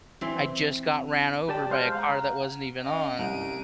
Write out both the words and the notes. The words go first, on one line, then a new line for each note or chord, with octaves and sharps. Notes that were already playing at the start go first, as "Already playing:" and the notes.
I just got ran over by a car that wasn't even on
E3 C4
G4 D5 A5
G#3 C5 F5 G6
F5 F#5 A#5
C#4 D#5 F5
C2 D7 D#7